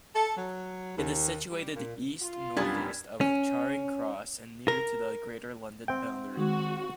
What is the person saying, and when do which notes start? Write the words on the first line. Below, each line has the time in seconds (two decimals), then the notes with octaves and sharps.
It is situated east-northeast of Charing Cross and near to the Greater London boundary.
0.15 A4
0.36 F#3
0.97 D#2
1.51 G3
1.76 A#2
2.20 F4
2.57 C2 F#2 G3 B3 D4 G#5 A5
3.21 C#4
4.68 A#4
5.88 C4 E5 F#5 G5
6.37 D#3 G#3 F#4